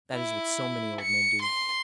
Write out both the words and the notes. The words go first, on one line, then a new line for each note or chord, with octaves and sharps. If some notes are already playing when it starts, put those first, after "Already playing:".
That is what so many old men do.
E4
C#7
C6